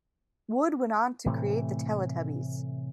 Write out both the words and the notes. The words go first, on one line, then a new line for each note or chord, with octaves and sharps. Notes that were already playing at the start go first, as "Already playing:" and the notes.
Wood went on to create the "Teletubbies".
A2 C3 E3 A3